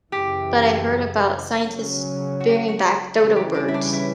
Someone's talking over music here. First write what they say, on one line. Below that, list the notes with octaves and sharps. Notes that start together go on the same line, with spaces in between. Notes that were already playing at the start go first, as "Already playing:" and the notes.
but I heard about scientists bringing back dodo birds.
F#2 C#3 E3 G4
C#3 F#3 C#4
F#4
G4
F#4
F#4
G4
C#3 E3 G3 C#4 A4
G4
D4
E4
D4
E4